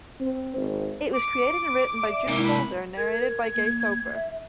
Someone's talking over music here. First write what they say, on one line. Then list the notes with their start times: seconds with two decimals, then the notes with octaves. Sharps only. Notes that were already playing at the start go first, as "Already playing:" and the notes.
It was created and written by Julie Holder and narrated by Gay Soper.
0.20 C4
0.57 G#1
1.13 D6
2.02 D5 E5
2.28 C3 G#3 A#3 E4
2.44 B5
2.97 A#4 G#6
3.55 A#3
4.14 E5